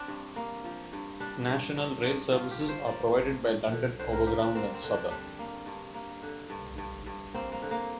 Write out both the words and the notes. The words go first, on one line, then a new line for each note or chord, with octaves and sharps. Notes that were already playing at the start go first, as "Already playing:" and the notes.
National Rail services are provided by London Overground and Southern.
Already playing: C4 D4
G2
A#3
F3
G2
G3 D4
G2
G2
G2
G2 F4
G4
G2
C5
A#3 D5
G2
G2
D3
D3 C5
A#4
A#3 G4
D4
A#3 C4
C4
D3
D4
G3 D4
A#3
G2
A#3
D3
G2
G2
G2
A#3 C4
A#3
D3
A#3